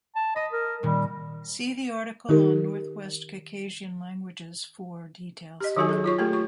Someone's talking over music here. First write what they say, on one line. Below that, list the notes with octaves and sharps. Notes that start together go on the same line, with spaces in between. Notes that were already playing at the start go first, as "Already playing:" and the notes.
See the article on Northwest Caucasian languages for details.
A5
D#5 B5 D#6
A#4
A#2 D#3 G3
D#3 D#4 G4 A#4
G4 D#5
D#3 F#3 D#4 F#4 A4 G#5
G#4 A4
F4 C#5 C#6
A3 A#3 F4 G4 A4
F4 C#6